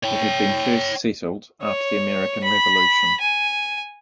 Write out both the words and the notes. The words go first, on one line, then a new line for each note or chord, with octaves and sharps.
It had been first settled after the American Revolution.
C#5 G5
C#5
B5
G#5